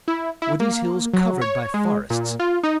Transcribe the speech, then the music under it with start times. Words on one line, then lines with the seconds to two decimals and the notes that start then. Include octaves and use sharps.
Were these hills covered by forests?
0.08 E4
0.42 E4
0.60 A#3
1.13 F#3
1.42 C#5
1.74 G#3
2.10 A#2
2.40 F4
2.63 D#4